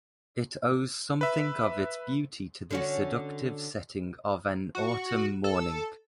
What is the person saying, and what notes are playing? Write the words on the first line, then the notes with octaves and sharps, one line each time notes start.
It owes something of its beauty to the seductive setting of an autumn morning.
B4 E5
D3 C#4 F#4
F#4
A4